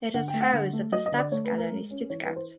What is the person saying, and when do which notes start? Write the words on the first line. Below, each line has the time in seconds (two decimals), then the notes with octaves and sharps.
It is housed at the Staatsgalerie Stuttgart.
0.14 D3 F#5
0.28 G5
0.34 A3
0.41 F#5
0.53 D3
0.73 A3
0.92 F#3 D#5
1.06 D#5
1.12 D3
1.18 D5
1.32 A3 C#5
1.45 B4
1.51 A3
1.58 A#4
1.70 G#3
1.91 C#4
2.10 E3 C#5
2.23 B4
2.29 E3
2.36 C5